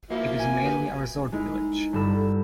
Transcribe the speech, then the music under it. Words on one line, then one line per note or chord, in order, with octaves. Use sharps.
It is mainly a resort village.
F3 A#3 E4 F#4 E5
G#5
B3 G4 B4
G#3 D#4 E4 A#4
G1 G2 A4 B5 E6 A#6